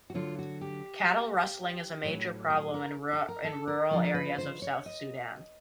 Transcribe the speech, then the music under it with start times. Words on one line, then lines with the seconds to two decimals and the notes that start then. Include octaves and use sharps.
Cattle rustling is a major problem in rural areas of South Sudan.
0.10 F#4
0.14 D3 F#3 F4
0.39 F#4
0.61 G4
2.03 A2 F#3
2.50 G#4
2.74 A#4
3.13 A4
3.29 A#4
3.44 A4
3.68 A#4
3.91 D3 F3 G#3 A#4
4.14 B4
4.38 C5
4.62 C#5
4.86 D#5